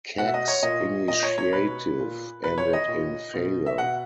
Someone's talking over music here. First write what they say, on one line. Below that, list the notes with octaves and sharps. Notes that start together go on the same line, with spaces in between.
Kak's initiative ended in failure.
B2 F#5
E5
D#5
C#5
A#2 D#5
A#2 D#5
C#5
C#5
B2 B4
A#2
B2 B4
C#5
D#5
A#2
B2
E5
B2 F#5